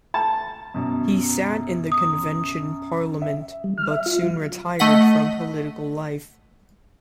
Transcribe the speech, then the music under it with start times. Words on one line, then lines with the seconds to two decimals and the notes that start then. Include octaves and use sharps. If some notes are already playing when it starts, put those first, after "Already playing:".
He sat in the Convention Parliament, but soon retired from political life.
0.14 A5
0.74 F#2 B2
1.92 D#6
3.22 E5
3.64 G3
3.78 F6
3.91 E5
4.06 F4
4.24 F#3
4.79 A3 D#5 F#5 B6